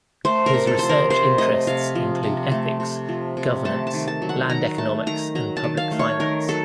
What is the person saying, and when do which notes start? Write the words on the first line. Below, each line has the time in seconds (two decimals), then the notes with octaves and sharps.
His research interests include ethics, governance, land economics and public finance.
0.25 A3 C5
0.46 A#4
0.53 C3
0.67 A4
0.79 F3 C5
0.89 A#4
1.10 C3 C5
1.38 A3 D#5
1.67 C3 F5
1.95 F3
2.23 C3
2.52 A3
2.80 C3
3.09 F3
3.37 C3
3.65 A3 A5
3.87 A5
3.94 D#3
4.08 A5
4.22 F#3
4.29 F#5
4.50 D#3 A#5
4.78 A3 A5
5.06 D#3 A#5
5.35 F#3 A#5
5.57 A5
5.64 D#3
5.77 F5
5.91 A3
5.99 C#5
6.20 D#3 A#4
6.48 F#3 A4